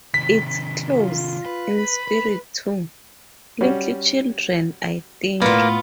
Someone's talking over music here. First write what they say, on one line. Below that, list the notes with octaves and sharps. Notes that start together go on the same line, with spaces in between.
It's close in spirit to "Little Children", I think.
C3 D#3 B6
F4
B4
B5
B4
G3 C#4 F#4
A2 A#3 B3 F4 B4